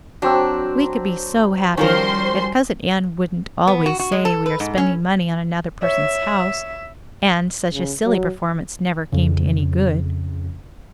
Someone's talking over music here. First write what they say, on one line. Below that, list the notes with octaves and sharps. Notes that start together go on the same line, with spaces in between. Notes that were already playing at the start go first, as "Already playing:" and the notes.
We could be so happy if Cousin Ann wouldn't always say we are spending money on another person's house and such a silly performance never came to any good.
F#3 C4 D4 E6
D#3 F3 G3 C#4 A#4 C5 C6
B3
F#4
F#4
G#3
A4
B4
G#2
C#4
C#5 E5
C#3
F#3
F2 C#3